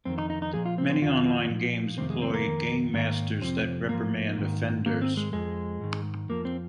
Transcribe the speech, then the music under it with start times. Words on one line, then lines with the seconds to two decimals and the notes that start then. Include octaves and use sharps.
Many online games employ gamemasters that reprimand offenders.
0.05 F2 D#3 C4
0.18 D#4
0.30 D#4
0.42 D#4
0.53 A#2 F3 G#4
0.66 F4
0.78 C4
0.89 C4
1.02 F2 D#3 F4
1.50 A#2 F3
1.97 F2 C3 D#3 C4
2.10 G#3
2.22 C4
2.34 A#3
2.46 F2 D#3
2.94 G#2 D#3 A#3
3.42 F2 C3 F3 C4
3.89 G#2 F3 A#3
4.38 G#2 D#3
4.85 G#2 D#3 A#3
5.02 C4
5.17 G#3
5.33 F2 F3 G#3
5.81 G#2 D#3
6.29 F2 F3 A#3
6.45 C4